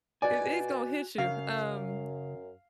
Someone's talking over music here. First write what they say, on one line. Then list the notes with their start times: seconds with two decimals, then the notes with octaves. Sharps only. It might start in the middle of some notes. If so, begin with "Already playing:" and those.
It it's gonna hit you, um,
0.22 B2 F#4 D5 G#5
1.18 F#2 C#3 F5